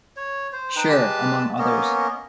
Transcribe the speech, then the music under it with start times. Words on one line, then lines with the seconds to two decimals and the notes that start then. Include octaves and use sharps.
Sure!, among others.
0.17 C#5
0.53 C5
0.76 D#4 B4 G5
0.89 G#3 G4 B4 A5
1.59 A#3 B3 C#4 D#5